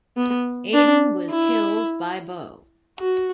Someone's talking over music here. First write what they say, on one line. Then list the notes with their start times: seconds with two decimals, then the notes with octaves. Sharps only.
Aiden was killed by Bo.
0.17 B3
0.74 D4
1.30 E4
2.98 F#4